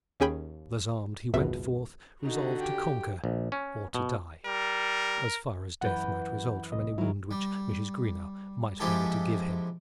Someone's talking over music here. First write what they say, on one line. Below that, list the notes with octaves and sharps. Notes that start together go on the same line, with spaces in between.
Thus armed he went forth resolved to conquer or to die,--as far as death might result from any wound which Mrs. Greenow might be able to give him.
D#2 C#4 G#4 G5 B5
G#1 C#2 F#2 B2 E5
D3 D#4 F#4
G4 G5
A#1
C#4
B2
G3 A#4
F#2 E3 B4 F#5 G6
C2 D#5
D#3 F#3 E4
G3
C3 F3 G#3 E4 G4 A4